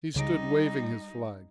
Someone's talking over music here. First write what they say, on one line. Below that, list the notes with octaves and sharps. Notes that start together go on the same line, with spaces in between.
He stood waving his flag.
C#2 C#3 G3 D#4 D7